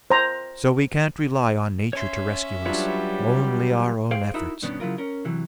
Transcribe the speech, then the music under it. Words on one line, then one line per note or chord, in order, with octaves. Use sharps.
So we can't rely on nature to rescue us, only our own efforts.
C5 A#5
C#4 C#5 E5 C6
F#3 G3 D4 F4 B4 C#5
G#4 C5 F5 G5
D#4 E4 F#4 A#4 E5 A#5
G2 B2 D#3 B3 C#4 D4
C#3 F#3 E4 F4 A#4
C#4 A#4
C3 E3 F#3